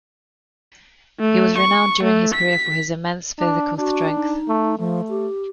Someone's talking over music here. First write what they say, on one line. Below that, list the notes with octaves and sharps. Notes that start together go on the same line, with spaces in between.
He was renowned during his career for his immense physical strength.
A3
C#6
A3
B6
D4
D4 F#4
D#4
A3
F3 A3
G4